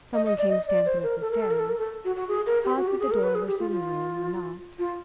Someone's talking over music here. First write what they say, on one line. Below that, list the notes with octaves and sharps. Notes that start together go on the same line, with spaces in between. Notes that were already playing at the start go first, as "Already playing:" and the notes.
Someone came stamping up the stairs--paused at the door of her sitting-room, and knocked.
D#5
D#5
D5
D#5
D5
C5
A#4
A4
A#4
A4
A#4
A4
A#4
A4
F#4
F#4
G#4
A#4
G4
F#4
G4
G#4
A#4
B4
G#4
G4
F4
F4
F4